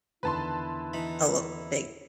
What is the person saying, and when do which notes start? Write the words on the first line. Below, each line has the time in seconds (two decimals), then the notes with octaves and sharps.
a litt big
0.23 E2 D3 D#3 E4 B4 A5 C6
0.93 E3 D#4 B5